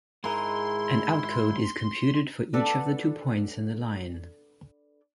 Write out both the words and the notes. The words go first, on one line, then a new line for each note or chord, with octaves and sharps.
An outcode is computed for each of the two points in the line.
G#2 G#3 E4 G#4 A#4 C6
D4 A4 B4 F#5